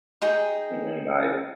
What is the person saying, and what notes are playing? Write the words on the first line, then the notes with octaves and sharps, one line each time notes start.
Mhm, ni
D#4 G#4 G5